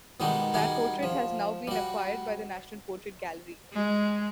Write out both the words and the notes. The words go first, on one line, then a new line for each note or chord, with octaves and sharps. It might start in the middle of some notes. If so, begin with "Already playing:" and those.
That portrait has now been acquired by the National Portrait Gallery.
B2 D#3 G3 G#3 D#4 F#4
D#3 G3 F#4 G#4
F3
G3 F#4
G#3